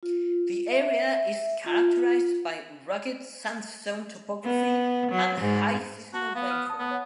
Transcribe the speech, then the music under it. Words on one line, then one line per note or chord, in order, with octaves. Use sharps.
The area is characterised by rugged sandstone topography and high seasonal rainfall.
F4
E5
F4
B3
F#3
G#2
F#4 A5
B3 F5
F6 D#7
A5 D#6
B3
C#5 F#5